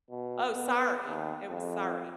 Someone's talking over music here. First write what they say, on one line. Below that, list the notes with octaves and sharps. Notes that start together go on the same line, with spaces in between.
oh, Sorry, it was Sorry.
B2
B3
D#2
F2